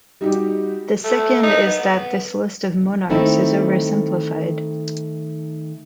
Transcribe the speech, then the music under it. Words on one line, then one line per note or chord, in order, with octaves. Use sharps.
The second is that this list of monarchs is oversimplified.
G3 D#4 F#4 G4
A3
D#4
B3
D#3 A3 C4 D#4 E4